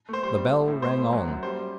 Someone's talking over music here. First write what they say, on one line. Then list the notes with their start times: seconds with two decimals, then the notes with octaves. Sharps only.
The bell rang on.
0.09 A3 C5
0.23 G3 C5
0.38 G3
0.53 A2
0.68 A2
0.82 A3 C5
0.98 A3
1.13 F#3
1.28 F#2
1.43 G3 C5
1.57 G3